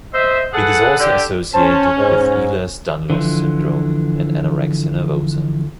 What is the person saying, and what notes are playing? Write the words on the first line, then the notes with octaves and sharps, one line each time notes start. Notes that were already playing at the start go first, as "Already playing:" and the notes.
It is also associated with Ehlers-Danlos syndrome and anorexia nervosa.
C5 D#5 E5
G#4 A4 B4 F#5
D3 G4
C#4 C5 A5
G#2
D3 E3 F3